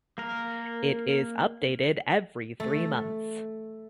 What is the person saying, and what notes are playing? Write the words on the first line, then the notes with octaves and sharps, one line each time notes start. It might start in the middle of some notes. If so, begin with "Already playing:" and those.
It is updated every three months.
A#3 A#4
A3